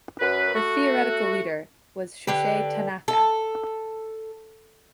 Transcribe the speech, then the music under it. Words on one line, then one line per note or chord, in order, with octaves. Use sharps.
The theoretical leader was Shusei Tanaka.
F#2 B4
A3 F#4
D3 G4 B4
A4